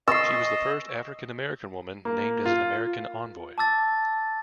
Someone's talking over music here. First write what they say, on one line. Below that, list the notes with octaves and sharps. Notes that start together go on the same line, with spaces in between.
She was the first African American woman named as an American envoy.
D#5 C#6 E6 A6 C7
A#3
F4
A5 D6 E6 A6